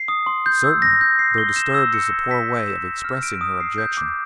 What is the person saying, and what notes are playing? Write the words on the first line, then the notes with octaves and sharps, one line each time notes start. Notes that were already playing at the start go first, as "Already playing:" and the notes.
"Certainly--though 'disturbed' is a poor way of expressing her objection."
Already playing: C7
D#6
C6
G6
E6
A#6
G6
C7
G7
E7
E6
C#7
G#6
B6
G6
E7
A#6
F6
D7
D#6
C7
G6
D6